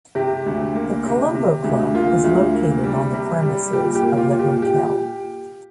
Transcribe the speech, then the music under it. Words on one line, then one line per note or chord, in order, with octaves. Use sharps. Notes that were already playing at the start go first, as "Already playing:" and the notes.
The Colombo Club is located on the premises of the hotel.
C3 G4
D2
A#3
C3
C3
D2
A#3 F4
D2
A#3
G3
C3
G3
A#2 G4
G4
A#3
F4
A#2
G4
A#2 G4